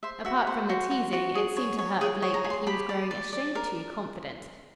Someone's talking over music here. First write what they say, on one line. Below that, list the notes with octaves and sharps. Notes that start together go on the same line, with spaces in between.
Apart from the teasing, it seemed to her of late that he was growing a shade too confident.
C5 E5
F#4 E5
C5 F#5
F#4
F#4
F#4
G#4
C#5
C#5
G#4 G5
C#5
A#5
G#4
C6
G4 B5
D5
D5
D5
A#4